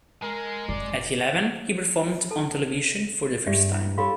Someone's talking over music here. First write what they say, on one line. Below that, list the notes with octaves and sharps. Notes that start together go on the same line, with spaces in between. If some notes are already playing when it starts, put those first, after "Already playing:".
At eleven, he performed on television for the first time.
G#3 A#4
F1 D5
A4 A5
G2 G3 G4 D5 E5
E4
G4 A4 C#5 F5 B5 C6